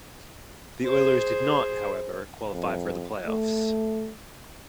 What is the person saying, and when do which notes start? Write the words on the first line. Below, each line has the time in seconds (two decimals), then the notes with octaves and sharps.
The Oilers did not, however, qualify for the playoffs.
0.86 G#4 C5
2.53 F2
3.27 A3